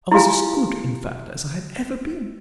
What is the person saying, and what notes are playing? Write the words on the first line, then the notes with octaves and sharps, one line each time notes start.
I was as good, in fact, as I had ever been.
E4 F4 G4 F5 G#5